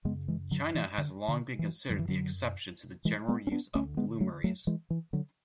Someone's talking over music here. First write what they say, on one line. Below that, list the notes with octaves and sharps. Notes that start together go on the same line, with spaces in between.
China has long been considered the exception to the general use of bloomeries.
F#2 C#3 G#3 B3
E3 G#3
D3 F#3
E3
D3
D3
E3
F#2 D3 F#3
E3
D3 F#3
E3 G#3
G#3 B3
C#4
B3 D4
D2 D3 A3 C#4
G#3 B3
F#3 A3
F#3 A3
E3 G#3
E3
D3 F#3